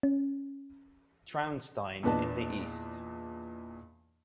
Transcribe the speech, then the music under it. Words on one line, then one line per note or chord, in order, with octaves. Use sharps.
Traunstein in the east.
C#4
E2 A#2 D4 B4 D#5 A5